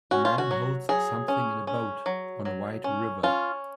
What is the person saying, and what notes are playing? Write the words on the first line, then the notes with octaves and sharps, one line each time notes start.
A man holds something in a boat on a wide river.
C#4 F#4
F4
F#4
F#3
F#3 G#4
C#4
C#4
F#3
F#3
C#4
C#4 F4